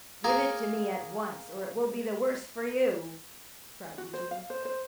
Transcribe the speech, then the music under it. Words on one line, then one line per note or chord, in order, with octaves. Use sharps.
Give it to me at once, or it will be the worse for you!' cried the Jew.
A#3 G#4 A#4
F#4
C5
F5
C5
C5